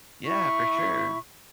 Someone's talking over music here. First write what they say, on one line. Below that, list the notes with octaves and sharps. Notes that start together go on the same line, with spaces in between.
Yeah, for sure.
E4 C#6